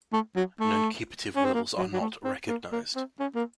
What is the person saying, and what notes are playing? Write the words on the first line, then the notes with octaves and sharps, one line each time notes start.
Nuncupative wills are not recognized.
A3
F#3
A3
C#4
C4
A#3
F#3
F#3
A3
C4
A#3
A#3
C4
C#4
A#3